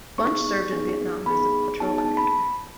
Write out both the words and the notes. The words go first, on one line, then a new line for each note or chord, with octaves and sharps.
Bunch served in Vietnam as a patrol commander.
B3 D#4 G#4 C#6
B3 D#4 G#4
B3 D#4 G#4 B5
B3 D#4 G#4 A5
A5
B5